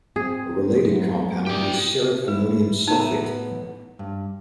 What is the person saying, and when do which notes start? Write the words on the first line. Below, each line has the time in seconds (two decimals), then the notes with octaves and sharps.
A related compound is ceric ammonium sulfate.
0.16 C4 G#4
0.67 G#2 F#3 A3 B3
1.46 E4 G4 D5 G5
2.28 E4 B4
2.88 A2 A3 B3 D#4 A#5
3.99 G2